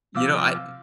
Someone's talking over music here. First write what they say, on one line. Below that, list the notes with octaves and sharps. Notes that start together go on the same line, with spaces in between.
You know, I, uh
C3 F3 F5 D6 E6